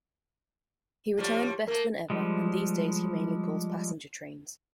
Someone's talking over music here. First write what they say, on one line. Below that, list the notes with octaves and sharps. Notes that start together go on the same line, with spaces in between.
He returned better than ever, and these days he mainly pulls passenger trains.
A2 F3 G3
A3 A#3 A#4
F3 G3 G#3